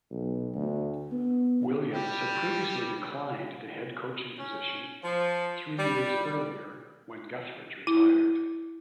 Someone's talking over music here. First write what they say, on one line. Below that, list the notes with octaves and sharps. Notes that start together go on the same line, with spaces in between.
Williams had previously declined the head coaching position three years earlier when Guthridge retired.
B1
D2
B3
G3 G4
C#4
F3
G3
E4